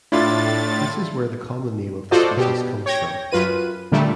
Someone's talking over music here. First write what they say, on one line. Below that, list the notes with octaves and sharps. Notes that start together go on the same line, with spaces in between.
This is where the common name of the species comes from.
A2 D4 E4 F4 A6
F4 F#4 A4 C5 D5 D#5
B2 G4
C#5 G5 G#6 A#6
F#2 F4 B4 D#7
A#2 D3 G3 A3